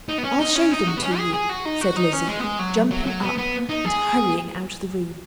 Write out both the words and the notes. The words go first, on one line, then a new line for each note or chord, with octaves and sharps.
"I'll show them to you," said Lizzie, jumping up and hurrying out of the room.
D#4
B3
C#4
D#4
C#4
D#4
F#4
B3
C#4
G#4
G#4
F#4
D#4
F#4
D#4
C#4
G#3
B3
G#3
F#3
F#3
F#3
B3
B3
D#4
G#4